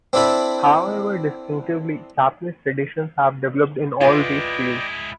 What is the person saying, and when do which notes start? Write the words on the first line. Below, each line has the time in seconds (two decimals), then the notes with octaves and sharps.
However distinctively Japanese traditions have developed in all these fields.
0.13 C4 D4 E4 A4 E5 B5
4.01 G#3 E4 F4 B4 D5 D#5 G5